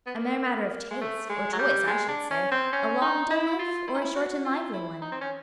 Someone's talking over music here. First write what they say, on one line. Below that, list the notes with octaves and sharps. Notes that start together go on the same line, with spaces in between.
"A mere matter of taste, or choice, I should say--a long dull life, or a short and lively one."
B3
A#3
G#3
A3
G#3
F#3
G3
G#3
D4
C#4
C4
C#4
D#4
E4
F4
E4
D#4
E4
F#4
F4
E4
D#4
C4
C#4